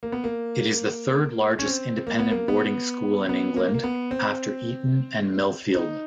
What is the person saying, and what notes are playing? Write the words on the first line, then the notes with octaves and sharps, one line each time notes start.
It is the third largest independent boarding school in England, after Eton and Millfield.
A#3
B3
A#3
C#4
C4
A#3
B3
A#3
B3
B3
A#3
A#3
B3
C4
D#4